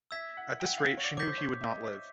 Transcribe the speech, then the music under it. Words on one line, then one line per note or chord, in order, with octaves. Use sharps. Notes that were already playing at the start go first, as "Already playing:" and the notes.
At this rate she knew he would not live.
E5 E6 G#6 B6
F#5
G5
F#5
F5
C#5
D5
C#5 D6 G6 B6
C5
C#5
E5
D#5